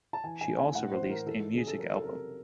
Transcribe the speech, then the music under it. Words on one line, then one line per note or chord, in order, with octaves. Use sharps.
She also released a music album.
A5
E3 G#5
G#5
A#3
G#5
A2 F#5
C5
E3
A#4
E3 A4
C#3 G#4
A4
F#3 A#4
A4
C3 A#4